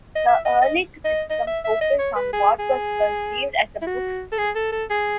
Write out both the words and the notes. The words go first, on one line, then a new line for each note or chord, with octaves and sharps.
The early criticism focused on what was perceived as the book's crudeness.
D#5
E5
D#5
D#5
D#5
D#5
E5
E5
D#5
C#5
B4
G#4
G#4
E4
F#4
A4
G#4
A4
A4
G#4